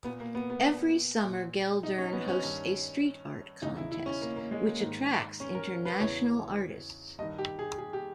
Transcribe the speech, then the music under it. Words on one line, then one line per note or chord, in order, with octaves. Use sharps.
Every summer Geldern hosts a street art contest, which attracts international artists.
A#2 B3
A#3
B3
B3
A#2
D#4
C#4
B3
C#4
G2 D#3
E2 C#3 E3 D#4
E4
E4
C#4
A#3
A#3
G#3
A#3
G#2 D#3
C#4
A#4
B4
E2 C#3 E3 C#5
G2 D#3 D#5
G4
G#4
G#4
G4